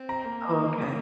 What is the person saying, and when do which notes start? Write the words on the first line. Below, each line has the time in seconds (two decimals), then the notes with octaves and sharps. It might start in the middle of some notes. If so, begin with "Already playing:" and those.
Oh okay.
Already playing: C4
0.09 A#5
0.25 A#3